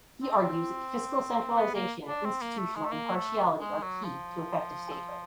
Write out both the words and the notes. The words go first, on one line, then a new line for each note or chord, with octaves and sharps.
He argues that fiscal centralization and institutional impartiality are key to effective statehood.
C4
B3
A#3
D4
C4
A#3
A3
G#3
A3
A#3
A3
G#3
F#3
F3